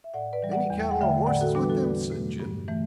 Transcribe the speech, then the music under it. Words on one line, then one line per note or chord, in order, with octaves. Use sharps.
'Any cattle or horses with them?' said Jim.
E5
A2 D5 F#5
B4 D5
E3 G3
D5 F#5
E2
G5
F#5
D3 A3 E5 G5
A2 D5 F#5
F#4 A4
E3 G3 B3 D4
B4
F#4 A4
E2 B4 D5
B2 F#3 A3
G2
E3 A3